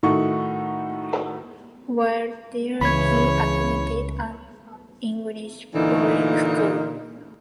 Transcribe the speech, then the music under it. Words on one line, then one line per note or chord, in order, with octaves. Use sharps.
While there he attended an English boarding school.
A2 D#3 A3 D#4 F#4 C#6
C#2 C#3 E3 C#5 B5 G#6
A#2 D3 E3 D#4